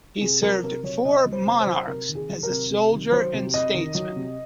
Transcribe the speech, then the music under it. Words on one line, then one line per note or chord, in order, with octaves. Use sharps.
He served four monarchs as a soldier and statesman.
C3 G#4
F#3 A#4
C3 A#4
F#3 C#5
C3 D#5
F#3
C5
C3
C5
F#3
C3 A#4
D#3
G#4
F#3
A#4
C3
C3
D#3
F#3 C5
C3
C3 D#5
D#3
F#3
C3